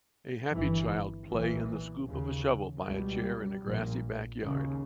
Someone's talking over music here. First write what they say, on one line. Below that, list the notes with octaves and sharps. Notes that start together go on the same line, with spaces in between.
A happy child play in the scoop of a shovel by a chair in a grassy backyard.
G1 G2 E3
B1 A#2 E3
D#2 C#3
C#2 B2 G3
A#1 A#2
D#2 C#3